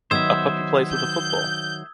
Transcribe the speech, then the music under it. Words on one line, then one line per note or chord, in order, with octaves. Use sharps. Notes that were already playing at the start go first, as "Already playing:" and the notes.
A puppy plays with a football.
D#3 F#3 B3 C5 E5 D#6 E6 G#6
G6